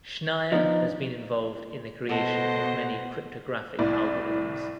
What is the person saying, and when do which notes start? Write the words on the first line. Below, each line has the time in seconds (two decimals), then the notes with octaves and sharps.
Schneier has been involved in the creation of many cryptographic algorithms.
0.52 F3 B3 D4 D#4
2.09 B2 A4 C5 D#5 F#5
3.79 C2 A2 E4 D5